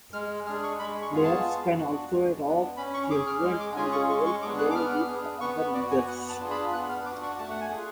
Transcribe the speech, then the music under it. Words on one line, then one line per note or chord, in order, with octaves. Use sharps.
Players can also adopt children and roleplay with other users.
G#3 F6
D4 G#4 F6
C#6
G#3 B5
C#6
B3 F4 G#4
A5
B3
D4 F#4
G#3
B3 D4
C#4 B5
C#6
G#4 D6
F6
G#3 F6
D6
C#4 F4 G#4 G#5
C#6
G#3 C#6
C#6
B3 D4 G#4 D6
F#6
D6
B3 F6
D4 G#4
B3 C#6
F#4 D5
G#5
B3 F#5
A5
D4 F4 G#4
B5
B3 F#6
F6
D4 F#4 D6
C#6
A3 A5
F#5
G#5
F4 G#4